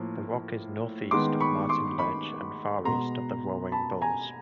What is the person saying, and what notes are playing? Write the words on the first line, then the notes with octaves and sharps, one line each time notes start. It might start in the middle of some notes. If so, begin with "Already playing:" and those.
The rock is northeast of Martin Ledge and far east of the Roaring Bulls.
Already playing: A2 F3 A#3
D#3 G#3 B3 C6 D6
B5 C#6
C6 D6
B5 C#6
B2 G#3 B3 A#5 C6
A5 B5
G#5 A#5